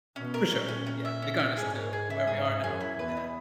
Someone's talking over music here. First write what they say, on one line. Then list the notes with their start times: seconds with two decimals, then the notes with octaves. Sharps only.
For sure, yeah, it got us to to where we are now, um
0.16 B2 C#4
0.34 A#4
0.51 A#2 C#4
0.68 C#4
0.86 C#4
1.05 E5
1.22 C#4
1.40 C#4
1.57 G#2 G#4
1.75 C#5
1.93 G#4
2.10 E4
2.27 G#2 G#4
2.45 G#4
2.63 F#2 G#4
2.81 E4
2.98 E2 B4
3.17 B3